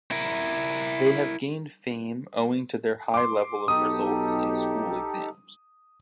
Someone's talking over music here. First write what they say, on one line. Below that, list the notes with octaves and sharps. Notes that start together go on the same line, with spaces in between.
They have gained fame owing to their high level of results in school exams.
E4 A#4
C6 D6
B1 D#4 G4 A4 D#6